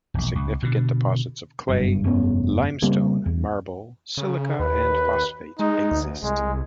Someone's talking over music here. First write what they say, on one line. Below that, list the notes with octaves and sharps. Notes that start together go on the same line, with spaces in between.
Significant deposits of clay, limestone, marble, silica, and phosphate exist.
E1 A#1
C#2
B2 D3
F#1 G2
F1 G2 B3 C#4
C#3 G3 A#3 C4
E2
C#3
D#2 B4
G#3 D#4
D2
C2 G#3